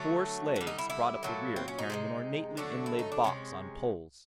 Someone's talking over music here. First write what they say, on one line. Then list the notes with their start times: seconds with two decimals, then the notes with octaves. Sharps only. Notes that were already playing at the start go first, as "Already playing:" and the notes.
Four slaves brought up the rear carrying an ornately inlaid box on poles.
Already playing: D3 F#3 A3
0.56 D3 G3
0.67 D#4
0.78 E4
0.90 E4
1.23 A#2 F#3 A3
1.56 C4
1.68 C#4
1.79 D#4
1.90 C3 E3 G#3
2.57 D3 F#3 A3 D4
2.86 E4
2.99 D#4
3.12 D4
3.24 C3 E3 G#3 C#4